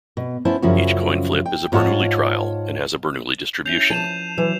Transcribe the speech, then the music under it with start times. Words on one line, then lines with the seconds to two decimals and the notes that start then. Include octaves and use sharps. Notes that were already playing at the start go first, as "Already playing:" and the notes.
Each coin flip is a Bernoulli trial and has a Bernoulli distribution.
0.17 B2
0.45 B3 C#4 E4 C5 A5
0.62 F#2 C#3 F3 E4 F#4
1.46 G5
1.72 G#2 F4 C#5 F#5 A5
3.65 C#4 E4 G6 C7 F7
3.90 F3 B4 A5 D#7 E7
4.38 E3 F#3